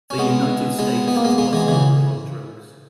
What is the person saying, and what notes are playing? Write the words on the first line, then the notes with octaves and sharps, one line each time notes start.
The United States has lost the war on drugs.
C#4
G#3 B3
G#3 B3
B3
A#3
G#3 B3
G#3 B3
E3 G#3
C#3 E3